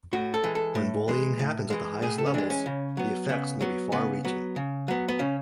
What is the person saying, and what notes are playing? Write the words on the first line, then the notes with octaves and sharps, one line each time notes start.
When bullying happens at the highest levels, the effects may be far reaching.
A2 F#4
A4
E3 G#3
A4
A2
E3 G#3
A2
E3 G#3
A2 G#4
A4
C#4
E3 G#3 D4
C#4
C#3
F#3 B3
C#3 B3
F#3 B3
C#3 B3
F#3 B3
C#3
F#3 B3
B3
C#3 C#4